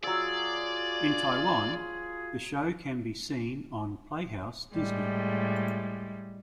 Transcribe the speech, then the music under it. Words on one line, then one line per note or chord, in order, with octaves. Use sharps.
In Taiwan, the show can be seen on Playhouse Disney.
F#3 F4 G#4 D5 E6
A2 G3 G#3